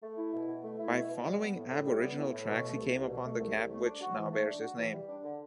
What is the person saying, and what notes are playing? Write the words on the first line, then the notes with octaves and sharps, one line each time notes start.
By following aboriginal tracks he came upon the gap which now bears his name.
A3
E4
B2
B2
A3
E4
B2
B2
G3
B3
A2
A2
G3
B3
A2
A2
B2
A3
C2
C2
B2
A3
C2
C2
A3
D4
F#4
E3
A3
D4
F#4
E3
G3
D4
D3